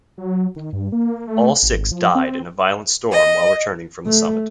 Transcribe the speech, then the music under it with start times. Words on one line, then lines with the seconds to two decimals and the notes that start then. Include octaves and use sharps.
All six died in a violent storm while returning from the summit.
0.18 F#3
0.56 D#3
0.73 G2
0.92 A#3
1.27 A3
1.63 G#1
1.91 F3
2.15 C4
3.11 D#5
4.06 A3